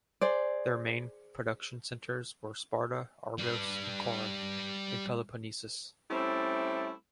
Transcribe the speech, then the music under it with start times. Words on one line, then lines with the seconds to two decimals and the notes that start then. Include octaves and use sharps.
Their main production centres were Sparta, Argos and Corinth, in Peloponnesus.
0.21 G#4 C5 D5
3.39 G3 B4
6.10 G3 A3 C4 C#4 E4